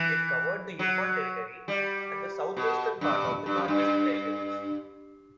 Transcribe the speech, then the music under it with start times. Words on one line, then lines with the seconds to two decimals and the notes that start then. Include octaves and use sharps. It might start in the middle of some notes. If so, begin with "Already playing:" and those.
It covered the Yukon Territory, and the southwestern part of the Northwest Territories.
Already playing: E3
0.79 F#3
1.68 G3
2.57 B2
3.01 G2
3.46 G2
3.57 F#2
3.68 G2